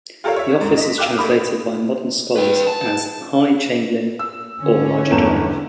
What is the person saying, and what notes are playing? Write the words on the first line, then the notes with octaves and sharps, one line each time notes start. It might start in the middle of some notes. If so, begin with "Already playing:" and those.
The office is translated by modern scholars as "high chamberlain" or "majordomo".
F4 G4 A4 A#4 C#5 F5
C#5 E5
E2 G#2
D#5 B6
E5 F5 G5 D6 F#6
F1 A3 A#3 B5 D#6
B4 G5
A5
E6
D3 C#4
G1 E2 E7